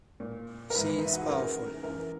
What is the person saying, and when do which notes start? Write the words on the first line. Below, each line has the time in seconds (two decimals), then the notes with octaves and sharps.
She is powerful.
0.20 A#2
0.70 A#4
0.75 G#2 E3 B4
0.98 D#4
1.06 E4
1.13 F#4
1.21 G#4
1.29 F#2 D#3 A#4
1.83 F#2 E3 A#4